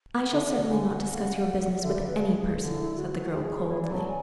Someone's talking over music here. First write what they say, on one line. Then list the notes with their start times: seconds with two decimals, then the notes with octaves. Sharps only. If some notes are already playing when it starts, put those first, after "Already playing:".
"I shall certainly not discuss your business with any person," said the girl coldly.
0.24 F#5
0.32 D3 E5
0.51 C#3 F#5
0.70 D3 G#5
0.83 G#5
0.95 F#5
1.07 C#3
1.82 D3 E5
1.94 C#3 D5
2.07 B4
2.20 C#3 G#4
2.57 D3
2.69 E4
2.82 E4
2.95 F#4
3.33 G#4
3.69 E3 C#5
3.79 E3 D5
3.89 F#3
3.95 A5
4.07 G#5